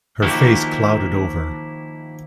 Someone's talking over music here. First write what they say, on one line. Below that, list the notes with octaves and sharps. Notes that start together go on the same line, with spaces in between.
Her face clouded over.
D#3 F3 A#3 E4 F#4 G4